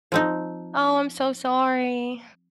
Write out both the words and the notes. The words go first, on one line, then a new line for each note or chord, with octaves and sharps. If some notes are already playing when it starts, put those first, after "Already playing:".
Oh, I'm so sorry.
F3 C4 D#4